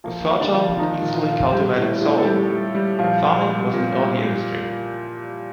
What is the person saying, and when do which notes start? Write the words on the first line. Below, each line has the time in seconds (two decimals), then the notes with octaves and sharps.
With fertile and easily cultivated soil, farming was an early industry.
0.04 F3 A#3
0.30 F3
0.41 D3 D4
0.53 F3
0.78 D#3 F3 D#4
1.02 A#2
1.14 F3 F4
1.27 A#2
1.52 G3 G4
1.77 A2
2.01 A2
2.18 A4
2.25 G3 G4
2.51 G3
2.75 G3
2.99 A#2 F3 F4
3.24 A#2
3.49 G3
3.73 A#2
3.97 G3
4.22 G3